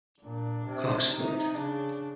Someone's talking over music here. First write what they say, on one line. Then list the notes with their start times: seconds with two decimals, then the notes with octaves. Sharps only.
Cox Plate.
0.23 A#2 D4
0.66 C3
1.10 C3 D#4
1.54 C#3 D4